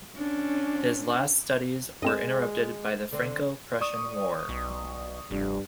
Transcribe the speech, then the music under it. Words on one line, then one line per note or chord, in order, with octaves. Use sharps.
His last studies were interrupted by the Franco-Prussian War.
C#4 D4
G2 G#3 C4 D#5 E7
D3 C4
D5 C#6 D#6
B1
F1 G2